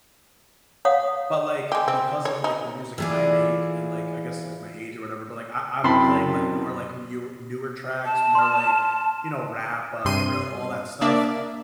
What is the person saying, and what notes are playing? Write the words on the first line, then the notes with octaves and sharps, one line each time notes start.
But, like, because of like the music I make and like I guess like my age or whatever, but like I I'm playing like more like newe newer tracks, more like, you know, rap, uh, drill, all that stuff.
C#5 F5 F#5 D#6
G#3 G4
C4
C#5
D#4
E3 A3 E4 F4 G#4 D5
F#2 C3 C4 E4 A5 B5 C6
A5
C6 F6
G2 C3 C6 D#7
A#3 D4 D5 E5